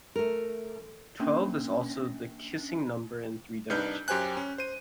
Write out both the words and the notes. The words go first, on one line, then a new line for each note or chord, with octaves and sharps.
Twelve is also the kissing number in three dimensions.
A3 A#4
A#3 C#4 D4
C2 D4 D#4 B4 F6 G6
F#2 G4 C5 G#5 F#6
C#4
C5 D#7